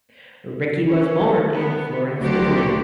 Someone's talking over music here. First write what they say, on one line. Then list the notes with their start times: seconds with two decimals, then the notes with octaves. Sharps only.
Ricci was born in Florence, Italy.
0.84 C#4
1.53 B3
2.17 D2 D3 F#3 F#4 G4 C5